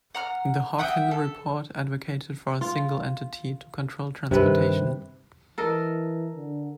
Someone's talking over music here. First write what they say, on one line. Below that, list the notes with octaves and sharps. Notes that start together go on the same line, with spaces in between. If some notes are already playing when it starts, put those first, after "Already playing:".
The Hawkins report advocated for a single entity to control transportation.
F#5 A#5 F6
E5 F#5 G5 D#6
A4
F4
G2 C3 D#3 B4
E3 A4 A#4 D#5
D3